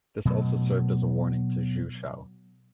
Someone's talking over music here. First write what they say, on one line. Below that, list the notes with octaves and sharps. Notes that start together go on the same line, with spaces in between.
This also served as a warning to Ju Shou.
B2 F#3 A3